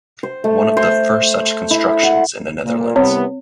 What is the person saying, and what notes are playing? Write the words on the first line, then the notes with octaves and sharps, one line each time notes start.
One of the first such constructions in the Netherlands.
C5
A3
C5
E4
F#5
A#2
C2 C3 B3 C4 C#5